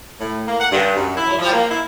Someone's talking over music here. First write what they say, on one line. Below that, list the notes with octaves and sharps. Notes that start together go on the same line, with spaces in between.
Yeah, well, that's
A2
A#3
F#5
G2
F#2
E4
F3
A#3
E4